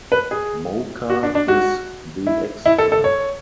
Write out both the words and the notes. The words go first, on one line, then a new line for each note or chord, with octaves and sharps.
Moka is the extra.
B4
G#4
F#4
D4
D4
F#4
E4
E4
A4
A4
C#5